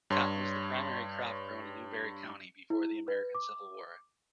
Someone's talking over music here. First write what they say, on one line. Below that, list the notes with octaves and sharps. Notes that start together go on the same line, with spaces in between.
Cotton was the primary crop grown in Newberry County before the American Civil War.
G2 C#5 C6
E4
B4
D6